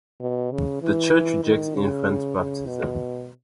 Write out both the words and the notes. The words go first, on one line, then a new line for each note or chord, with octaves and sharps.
The church rejects infant baptism.
B2
C#3
E3
D#3
C#3
C#3
B2